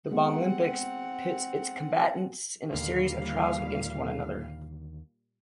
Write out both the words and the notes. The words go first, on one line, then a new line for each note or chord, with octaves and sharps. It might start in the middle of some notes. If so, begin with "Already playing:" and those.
The Bomblympics pits its combatants in a series of trials against one another.
G#3 B3 C4 F#5
D#2 A#2 D3 G3 F5